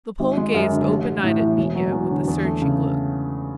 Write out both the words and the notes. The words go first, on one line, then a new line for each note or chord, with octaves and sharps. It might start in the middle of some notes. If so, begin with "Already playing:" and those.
The Pole gazed open-eyed at Mitya, with a searching look.
G#1
G#3
F#2
D3
A1
A1
A2
E3
E1
F#3
E2
D3
E2
A3
C#3